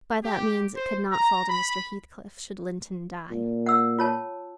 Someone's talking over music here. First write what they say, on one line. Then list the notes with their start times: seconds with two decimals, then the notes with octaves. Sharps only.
By that means, it could not fall to Mr. Heathcliff should Linton die.
0.24 G4
0.76 C5
1.12 A#5
1.49 B5
3.31 A#2
3.66 F#5 E6
3.99 F4 C#5 A5